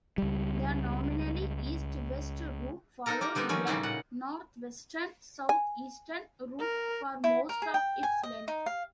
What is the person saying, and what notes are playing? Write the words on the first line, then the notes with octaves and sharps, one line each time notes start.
The nominally east-west route followed a northwestern-southeastern route for most of its length.
C#2 G3
C4 D#4 A4 A#4 A#5
A#3 G4 A#5
D3 G3 B3 C4 D#4
D#3 F3 C4 C#4
A2 C#3 G3 D#4 E4
A#2 F#5
G#5
A#4
E4
A#4
G#4
G5
G#5
D#5
D#4
F5